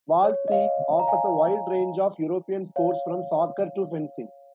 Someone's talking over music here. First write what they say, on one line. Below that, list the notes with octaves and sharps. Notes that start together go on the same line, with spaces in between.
Waldsee offers a wide range of European sports from soccer to fencing.
C#5
D#5
C#5 F5
A#5
F5 G#5
C#5 F5